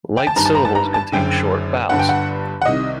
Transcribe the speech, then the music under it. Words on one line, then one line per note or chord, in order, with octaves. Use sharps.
Light syllables contain short vowels.
G5
A5
G1 G2 D#3 A#5
A5
A#5
A5
A#5
A5
F#1 F#2 D3 G5
G1 G2 D3 F#5
G5
F#5
F#5
C2 C3 D#3 D#5